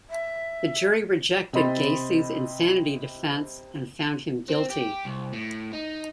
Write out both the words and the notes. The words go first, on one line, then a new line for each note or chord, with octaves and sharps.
The jury rejected Gacy's insanity defense and found him guilty.
E5
C3 C4 D#5 B5 C6 A6
C4
G4
C2
A2
D#4